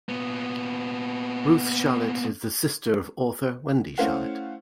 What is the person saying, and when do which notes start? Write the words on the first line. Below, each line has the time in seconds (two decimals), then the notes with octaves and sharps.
Ruth Shalit is the sister of author Wendy Shalit.
0.09 A#2 B3
3.98 A3 C#4 E4 C5 F5 F#5